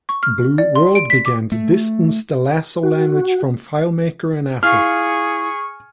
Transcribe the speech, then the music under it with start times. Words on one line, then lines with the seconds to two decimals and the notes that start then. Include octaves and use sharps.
Blue World began to distance the Lasso language from FileMaker and Apple.
0.09 C#6
0.23 F6
0.58 D5
0.75 C6
0.95 D7
1.10 B6
1.26 D6
1.52 A3
2.83 F#4
4.63 E4 F4 G#4 F5 C#6 F6